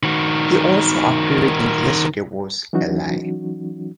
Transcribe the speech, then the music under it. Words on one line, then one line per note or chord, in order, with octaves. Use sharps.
He also appeared in "Yesterday Was a Lie".
D#3 F#4
E3 F#3 C#4 D#4 F#4